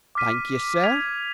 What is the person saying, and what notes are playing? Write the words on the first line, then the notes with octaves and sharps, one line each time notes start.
"Thank you, sir."
D6 F6 B6 D#7
D6 G#6 B6 F7